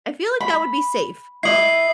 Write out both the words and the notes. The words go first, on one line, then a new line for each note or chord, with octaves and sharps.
I feel like that would be safe.
B5
E4 D#5 E5 C7 F#7